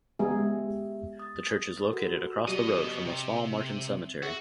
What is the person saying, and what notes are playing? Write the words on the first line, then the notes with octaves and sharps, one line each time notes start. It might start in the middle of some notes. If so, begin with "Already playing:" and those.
The church is located across the road from the small Martin Cemetery.
G#3 B3 G4 G#4 E5
D#6 A6
F#4 A4 A#4
F#3 B3 F#4 G4 D#5
C3
F#4 G#4 E5